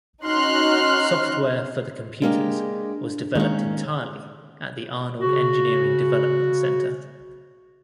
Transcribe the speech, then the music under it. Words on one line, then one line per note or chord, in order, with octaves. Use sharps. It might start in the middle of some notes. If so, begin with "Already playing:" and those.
Software for the computers was developed entirely at the Arnold Engineering Development center.
C#4 D#4 F#4 C6 F6 F#6
G#3 A#3 D4 G4
D#3 G#3 A#3 C#4
C#3 F#4